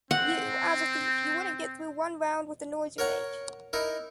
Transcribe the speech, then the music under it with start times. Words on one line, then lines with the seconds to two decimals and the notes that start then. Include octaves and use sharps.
You, as a thief, you wouldn’t get through one round with the noise you make.
0.11 C4 F#5
2.98 A#4 C#5 F#5 A#5
3.73 D#4 E4 A#4